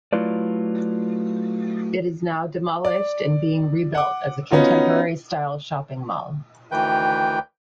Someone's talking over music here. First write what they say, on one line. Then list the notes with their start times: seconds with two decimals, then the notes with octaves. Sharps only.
It is now demolished and being rebuilt as a contemporary style shopping mall.
0.13 F#3 A3 E4 F4 B4 D5
2.85 D5
3.95 F#5 D6
4.51 B3 C#4 D#4 F4 F#4
6.72 D2 D#3 E3 B4 G5 G6